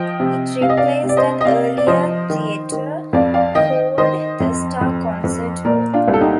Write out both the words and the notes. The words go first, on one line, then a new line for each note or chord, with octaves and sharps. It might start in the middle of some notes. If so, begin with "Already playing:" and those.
It replaced an earlier theatre called the Star Concert Hall.
Already playing: F3 D#5 G5
C3
C3 F5
D#5
D5 F5
C3
D5
C5 D#5
D#5
C3 D5 F5
D5
F3 C5 D#5
D#3
D#3
F2 D5 F5
D5 F5
D#3 D#5 G5
D#3 C5 D#5
F2
F2
F2
A#2 A#4 D5
D4 F4
C2
A4
D#4 G4